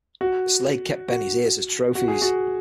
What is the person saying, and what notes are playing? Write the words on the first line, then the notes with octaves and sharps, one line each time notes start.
Slade kept Beni's ears as trophies.
F#4
F#4
F#4
G#4
F#4